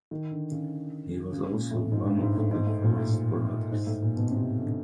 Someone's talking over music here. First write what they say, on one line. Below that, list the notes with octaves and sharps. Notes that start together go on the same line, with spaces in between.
He was also one of the Forest Brothers.
D#3
D3
C#3
C#3
A#2
A2
G#2
G2
G#2
A2
G#2
A2
A#2
A2
G#2
G#2
A2
A#2
B2
C3
D3